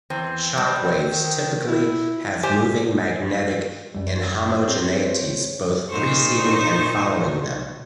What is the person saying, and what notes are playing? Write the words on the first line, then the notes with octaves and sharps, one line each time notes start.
Shock waves typically have moving magnetic inhomogeneities both preceding and following them.
E2 C4
G3 C4
D#3
E4
G4 C5 G#5
F#2 G3
C4 G#4 C5 C#5
A#2 D#4 C5 C#6